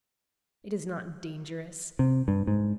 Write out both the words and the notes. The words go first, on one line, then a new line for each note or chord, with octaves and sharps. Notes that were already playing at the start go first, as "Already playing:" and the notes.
It is not dangerous.
C3
G2
G#2